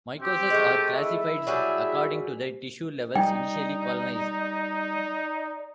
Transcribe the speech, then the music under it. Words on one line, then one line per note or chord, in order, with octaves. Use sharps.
Mycoses are classified according to the tissue levels initially colonized.
C4 G4
G#3 A3
E4 E5
F#3 G3 G#4
G3 D#4 D5 G5